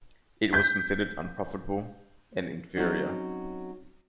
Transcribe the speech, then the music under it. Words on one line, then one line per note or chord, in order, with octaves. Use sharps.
It was considered unprofitable and inferior.
G6 B6
F#3 C4 C#4 D#4 F#4